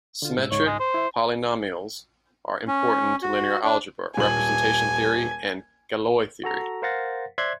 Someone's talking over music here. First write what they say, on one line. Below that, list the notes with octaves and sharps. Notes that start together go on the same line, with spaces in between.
Symmetric polynomials are important to linear algebra, representation theory, and Galois theory.
D3 F4
G#2 B2 E6
C#2 G#2 C#5
G#3
C5
E4 E5
C#4
F#4
D4
D#1 G#5 F#7
F#4 A4 A#5
A#4 C5 F5 F#5 A6 A#6
C5 D5 E5 C6 F#6 G#6